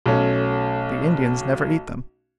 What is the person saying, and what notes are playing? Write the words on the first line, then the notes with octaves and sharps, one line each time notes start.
The Indians never eat them.
B1 A3 C#4